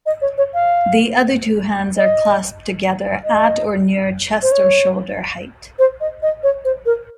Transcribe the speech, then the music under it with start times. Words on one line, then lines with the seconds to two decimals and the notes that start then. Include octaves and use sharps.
The other two hands are clasped together at or near chest or shoulder height.
0.06 D#5
0.21 C#5
0.38 C#5
0.54 F5
1.97 D#5
3.24 D#5
4.42 C5
4.52 C#5
5.79 C5
6.00 D#5
6.22 D#5
6.43 C#5
6.65 C5
6.86 A#4